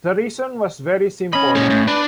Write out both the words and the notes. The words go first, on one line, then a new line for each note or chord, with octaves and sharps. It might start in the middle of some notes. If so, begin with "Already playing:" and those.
The reason was very simple.
C#4 D#5 B5
A#2 G#3
A2
D4 B4